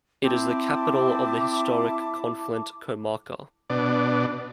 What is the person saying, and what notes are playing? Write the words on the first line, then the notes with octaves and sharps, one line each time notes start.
It is the capital of the historical Conflent comarca.
C4 E4 A5 D6
B2 D4